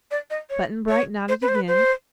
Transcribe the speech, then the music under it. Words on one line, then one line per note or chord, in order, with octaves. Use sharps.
Button-Bright nodded again.
D5
D#5
C#5
C#5
C5
B4
C5
B4
C5